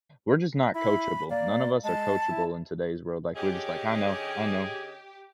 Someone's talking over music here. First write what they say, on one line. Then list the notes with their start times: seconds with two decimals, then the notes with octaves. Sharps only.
we're just not coachable, none of us are coachable in today's world, like, we're just like, "I know, I know,"
0.75 E4 B5
1.30 A#3 D5
1.84 G#3 A5
2.29 E4
3.35 D3 C#4 G4 G#4 D#5